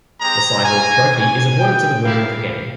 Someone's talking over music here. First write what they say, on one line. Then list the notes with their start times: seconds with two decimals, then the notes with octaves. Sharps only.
The Cy-Hawk Trophy is awarded to the winner of the game.
0.20 G#3 C4 G4 A#5
0.65 A#3 C#4 F4 G#5
1.11 G3 C#4 G4 G#5
1.58 G#3 E4 G4 G5
2.05 A#3 E4 G4 F5